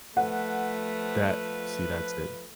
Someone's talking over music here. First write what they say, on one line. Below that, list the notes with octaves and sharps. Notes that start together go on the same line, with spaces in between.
That see, that's it.
F3 A3 B4 F#5